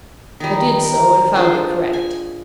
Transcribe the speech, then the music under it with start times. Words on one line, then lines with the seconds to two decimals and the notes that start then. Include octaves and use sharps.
I did so and found it correct.
0.40 D#3 G3
0.84 A#4
1.34 G#3 D4 F4 C5
1.93 G#5